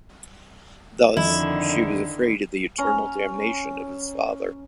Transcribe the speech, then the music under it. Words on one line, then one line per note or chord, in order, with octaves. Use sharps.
Thus, she was afraid of the eternal damnation of his father.
F2 D3 D#3 E4
C#4 A#5